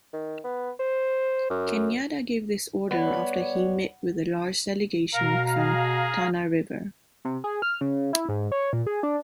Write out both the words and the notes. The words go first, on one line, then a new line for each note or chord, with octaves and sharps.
Kenyatta gave this order after he met with a large delegation from Tana River.
D#3
B3
C5
F#2
G3 B3 C#5 D5
B2 A#4 F5 A#5 F6
G#4
C3
G#4
F6
C#3
E4
G#2
C#5
A#2
G#4
D4